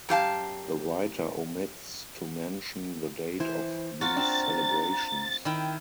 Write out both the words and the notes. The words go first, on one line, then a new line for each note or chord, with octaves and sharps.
The writer omits to mention the date of these celebrations.
F#2 G4 F5 A5
E3 E4 C5
F4 F#4 A#5 A6
C4 D4
D#3 E4 G5